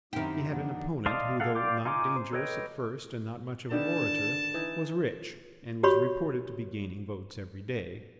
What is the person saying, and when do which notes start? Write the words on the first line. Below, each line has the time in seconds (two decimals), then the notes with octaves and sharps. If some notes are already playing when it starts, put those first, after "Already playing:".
He had an opponent, who, though not dangerous at first and not much of an orator, was rich and was reported to be gaining votes every day.
0.13 F#2 D#3 C4 D#4 E4 G4
0.49 F2 A#3 D4 F#5
1.06 D5 D#5 F5 A5 C6
1.40 G#4 A4 F5 F#5
1.55 D5 F5 G5 C6 D6
1.85 D#4 F4 G#5 C6 D6
2.16 C5
2.33 A4 B4 C#5 D#5 G5
3.71 D3 D#3 B4 A5
4.54 E3 D#4
5.83 F#4 G4 C#5 B5 C#6